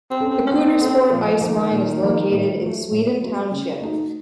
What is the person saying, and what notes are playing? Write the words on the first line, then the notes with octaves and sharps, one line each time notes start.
The Coudersport Ice Mine is located in Sweden Township.
C4
C#4 A4 C5
C4
C#4
A#3 C4
C4 C#4 A4 C5
A#2 F3
D#3 F3 A#3
A#2
F3 A#3
A2
F#3 A3
A2
F#3 A3
C#3
A3 D#4 F#4